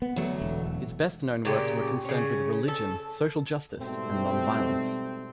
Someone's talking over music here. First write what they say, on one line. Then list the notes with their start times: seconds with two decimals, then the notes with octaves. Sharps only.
His best-known works were concerned with religion, social justice and nonviolence.
0.02 B3
0.16 D2 F#3 A3
0.41 E1
1.45 A#2 C#3 G4
2.05 C#3 C#4
2.68 A4
3.80 G#2 B2 G3 A3 C4